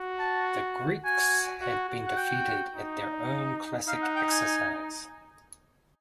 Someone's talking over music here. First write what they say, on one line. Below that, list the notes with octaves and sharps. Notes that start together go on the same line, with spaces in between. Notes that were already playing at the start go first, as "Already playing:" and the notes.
The Greeks had been defeated at their own classic exercise.
Already playing: F#4
A5
F#4 G#5
F#4
F#4
F#5
G5
D#4
D#4 F5
F#5
G5
G#5